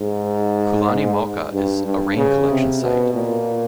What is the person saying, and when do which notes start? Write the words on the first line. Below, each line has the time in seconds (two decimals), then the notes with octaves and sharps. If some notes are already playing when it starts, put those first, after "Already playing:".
Kulani Mauka is a rain collection site.
Already playing: G#2
1.52 G2
1.85 G2
2.17 C#3
2.50 C3
2.82 B2
3.14 A#2